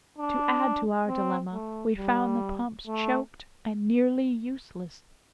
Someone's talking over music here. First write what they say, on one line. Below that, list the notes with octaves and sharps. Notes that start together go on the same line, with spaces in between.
To add to our dilemma, we found the pumps choked and nearly useless.
D4
C4
A3
G3
A3